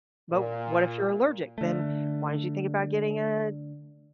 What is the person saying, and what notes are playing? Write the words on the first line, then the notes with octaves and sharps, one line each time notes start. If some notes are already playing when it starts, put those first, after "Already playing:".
but what if you're allergic, then why don't you think about getting a
A#2
D3 A3